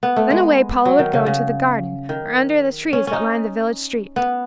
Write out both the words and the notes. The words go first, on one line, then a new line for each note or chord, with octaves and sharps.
Then away Paula would go into the garden or under the trees that lined the village street.
B3
A3
G#3
F#3
D#3
C#3
C#3
D#3
C#4
C#4
D#4
B3